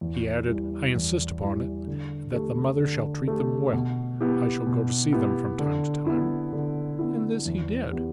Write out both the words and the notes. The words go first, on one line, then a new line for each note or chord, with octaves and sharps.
He added: "I insist upon it that the mother shall treat them well. I shall go to see them from time to time." And this he did.
E2
E3 G3
E2
E3 G3
D3
A3 G4
D3
A3 G4
B2
B3 E4 G4
B2
B3 E4 G4
D3
B3 E4
D3
B3 E4
E2
E3 B3 G4